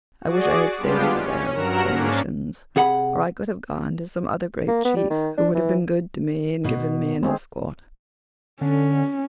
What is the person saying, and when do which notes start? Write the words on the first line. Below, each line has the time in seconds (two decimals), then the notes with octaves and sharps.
I wish I had staid over there with the Phaeacians; or I could have gone to some other great chief who would have been good to me and given me an escort.
0.23 F#4 G#4 D5
0.78 G3 G#3 B3 D4 F4 G4
1.13 C#4
1.53 G2 F#3 A#4 F#5 A#5 E7
1.84 G#2 A#3 C#4 D4
2.76 C3 G#4 F#5 B5
4.68 A#3
4.85 B3
4.96 G3
5.10 D#3
5.37 D4
5.55 E3
6.64 B2
7.23 G#3 C4 G#4
8.61 D3 C#4